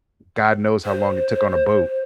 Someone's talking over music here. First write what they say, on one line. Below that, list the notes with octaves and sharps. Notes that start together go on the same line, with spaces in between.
god knows how long it took on a boat.
C5